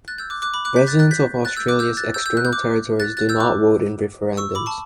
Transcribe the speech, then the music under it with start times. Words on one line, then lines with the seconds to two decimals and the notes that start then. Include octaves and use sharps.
Residents of Australia's external territories do not vote in referendums.
0.08 F#6 A6
0.18 E6 G6
0.30 D6 F#6
0.42 D6 F#6
0.54 B5 D6
0.65 D6 F#6
0.76 G6 B6
0.87 F#6 A6
0.99 F#6 A6
1.11 G6 B6
1.45 F#6 A6
1.57 E6 G6
1.68 D6 F#6
1.79 E6 G6
1.97 F#6 A6
2.14 E6 G6
2.26 E6 G6
2.37 F#6
2.45 G6
2.53 D6 F#6
3.00 F#6 A6
3.17 F#6 A6
3.29 E6 G6
3.40 D6 F#6
4.37 C#6 E6
4.55 B5 D6
4.66 A5 C#6